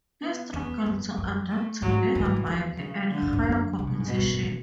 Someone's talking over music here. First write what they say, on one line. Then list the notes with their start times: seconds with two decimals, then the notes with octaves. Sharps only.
He struggled to adapt to bigger bike and higher competition.
0.22 B3
0.53 E2 B3
0.86 F#2
1.18 F#2
1.50 A3
1.82 G#2 F#3
2.14 F#2 E3
2.25 G#2
2.37 F#2
2.47 E2
2.79 C#3
3.12 D3
3.22 F#2
3.33 G#2
3.43 F#2
3.79 C#3
3.87 B2
3.93 A2
4.00 G#2
4.07 F#2 B2
4.18 G#2
4.29 F#2
4.39 A2